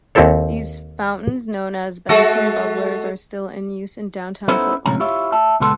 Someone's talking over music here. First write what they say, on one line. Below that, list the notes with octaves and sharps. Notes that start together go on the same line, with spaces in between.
These fountains, known as "Benson Bubblers", are still in use in downtown Portland.
D#2 C4 E4 A4 C#5
G#3 F#4 A4
B3 C#4 D#4 E4 A4 C5
A2 C3 F3 G#3 C#4 A#5
E4 F4 G4 C#5 E5 F5
E5 A5
C#2 A#2 G#3 B3 A4 C6